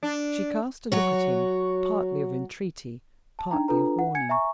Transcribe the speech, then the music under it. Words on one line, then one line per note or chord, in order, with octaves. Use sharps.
She cast a look at him, partly of entreaty, partly of warning.
D4
F#3 F#4 C#5
A5
D4 D#4 G5 A#5
D4 F4 A4 B4 A#5
F#5
G#5 G#6 C#7
E5 G#5 A#5 C#6